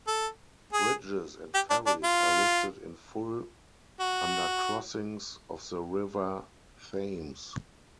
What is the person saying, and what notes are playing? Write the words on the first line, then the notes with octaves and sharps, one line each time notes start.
Bridges and ferries are listed in full under Crossings of the River Thames.
A4
G#4
G4
D4
D4
F4
F#4